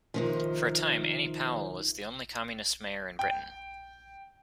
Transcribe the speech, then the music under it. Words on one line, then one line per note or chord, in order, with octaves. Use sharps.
For a time, Annie Powell was the only Communist mayor in Britain.
C3 D#3 F3
G5